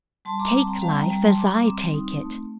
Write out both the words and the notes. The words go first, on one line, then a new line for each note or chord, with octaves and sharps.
Take life as I take it.
G3 A5 C6
A#5 D6
C4 A5 C6
G5 A#5
G3 F5 A5
G5 A#5
G3 G5 A#5
A5 C6
G3 A#5 D6
C4
D#4
A3